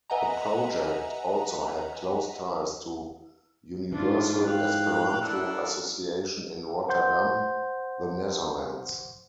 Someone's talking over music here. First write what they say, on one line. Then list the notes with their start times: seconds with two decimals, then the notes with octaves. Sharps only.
The project also had close ties to Universal Esperanto Association in Rotterdam, the Netherlands.
0.10 B4 D#5 E5 F#5 G#5 A#5
3.92 G#2 E3 D4 F4
4.47 F5 G5 F#6
5.21 D4 E4 A4 A#4
6.89 C5 F#5 C6 G6